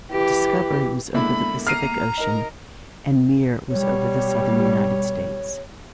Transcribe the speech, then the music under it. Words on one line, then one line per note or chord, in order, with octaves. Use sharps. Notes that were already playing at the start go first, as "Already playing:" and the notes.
"Discovery" was over the Pacific ocean and "Mir" was over the southern United States.
E3 G4
B2 D3 G#3 A#3 E4 B5
A#5 F6 C7 D#7
D#4 A#4
B2 G3 C#5